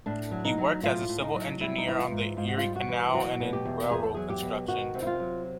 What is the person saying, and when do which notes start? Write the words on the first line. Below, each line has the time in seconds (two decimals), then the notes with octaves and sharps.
He worked as a civil engineer on the Erie Canal and in railroad construction.
0.06 A2 D4
0.31 F#3
0.45 D#4
0.58 F#3
0.83 A2 F4
1.09 A2
1.22 D#4
1.35 F#3
1.61 G3 E4
1.78 D#4
1.86 E3 E4
1.99 F4
2.11 G#2
2.37 G#2 F4
2.48 F#4
2.58 F4
2.63 G3
2.76 F#4
2.89 E3
3.14 F#3 F#4
3.40 B2
3.53 G4
3.65 E2
3.91 E2 G#4
4.03 A4
4.14 F#3 G#4
4.30 G4
4.42 B2
4.68 D#3 F#4
4.94 C3
5.02 E4
5.07 F4
5.20 F#3